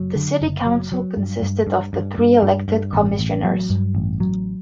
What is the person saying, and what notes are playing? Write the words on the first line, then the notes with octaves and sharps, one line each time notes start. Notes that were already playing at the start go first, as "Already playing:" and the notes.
The City Council consisted of the three elected Commissioners.
Already playing: F#1 F#3
D3
F#1
F#3
F#3
G2
G2
G2
G2
G2
G2
G2
A1
A1
F#3
G2
A1
F#3